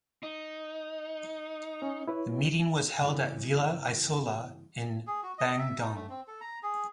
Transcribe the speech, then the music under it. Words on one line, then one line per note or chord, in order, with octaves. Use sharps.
The meeting was held at Villa Isola in Bandung.
D#4
C#4
E4 B4 C#5
G2 C#3 E3
G#4
F#4
D#5
E5
D#4
A3
C4
A4
A#5
G#4